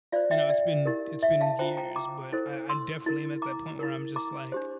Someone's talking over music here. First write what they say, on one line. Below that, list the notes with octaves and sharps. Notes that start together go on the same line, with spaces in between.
You know, it's been it's been years, but I I definitely am at that point where I'm just, like,
F4 C5 D5 F5
E5 G5
D5
E4 G4 A#4
E5
F5 A5
F4 C5 G5 A#5
G5 A#5
A#5 D6
E4 A4 C5
C6 E6
E4 A#4
A#5 D6
E4 A#4
A#5 D6
D4 G4 C5